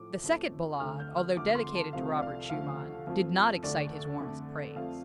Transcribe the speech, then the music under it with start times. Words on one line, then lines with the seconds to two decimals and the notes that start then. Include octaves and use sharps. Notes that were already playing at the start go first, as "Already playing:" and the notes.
The second Ballade, although dedicated to Robert Schumann, did not excite his warmest praise.
Already playing: A2 F3 A3 D6
0.24 F2 F3 A3
0.80 D2 D3 A3 F6
1.00 G6
1.17 F6
1.37 F2 D3 F3 A3 D6
1.55 C6
1.75 A5
1.93 C2 C3 F3 A3 F5
2.17 D5
2.22 F5
2.50 D2 D3 F3 A3 F5
3.07 F2 F3 A3
3.63 D2 D3 A3 D5
4.20 F2 D3 A3
4.76 F2 F3 A3 F5